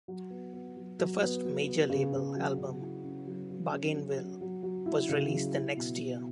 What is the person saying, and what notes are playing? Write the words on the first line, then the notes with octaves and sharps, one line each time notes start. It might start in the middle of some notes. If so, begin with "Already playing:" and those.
Their first major-label album, "Bargainville", was released the next year.
F#3
B3
B3
F#3
F#3
B3
F#3
B3
C#3
C#3
F#3
C#3
E4
C#4
F#3
F#3
C#4
F#3
F#3
F#3
F#3
E4
C#3
F#3
E4
B2
B2